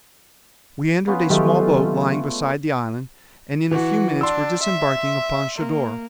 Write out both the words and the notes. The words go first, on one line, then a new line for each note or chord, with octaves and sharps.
We entered a small boat lying beside the island, and in a few minutes were disembarking upon Shador.
B3 C#4 F4
D#3 F#3 G#3 A3 F4 G4
E3 F#4
D4 C6 E6
E5
A#3